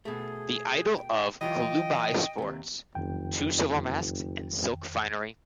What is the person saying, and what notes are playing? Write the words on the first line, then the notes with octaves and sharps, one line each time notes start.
The idol of Kalubai sports two silver masks and silk finery.
B2 A3 G#4
G5
E3 F#3 F4 D#5 G5
D#2 C3
F#1 F2 D#3 G5